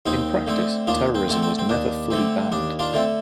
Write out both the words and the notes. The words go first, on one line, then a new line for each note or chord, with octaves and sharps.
In practice, terrorism was never fully banned.
D#2 C4 D#4
D3 A3 C4
D#2 D4 F4
C4
D3 A3 C4
C4
C4
D#2 D4
D3 A3 C4
D#2 D4
D4 F4
D3 A3 C4